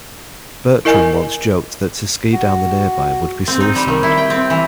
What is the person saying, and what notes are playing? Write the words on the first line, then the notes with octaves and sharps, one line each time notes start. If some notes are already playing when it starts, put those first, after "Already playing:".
Bertram once joked that to ski down the nearby would be suicide.
E4 A#4 D#5 G#5
F#4
C4
D#4
G3
D#3
E4
G5
C4
E3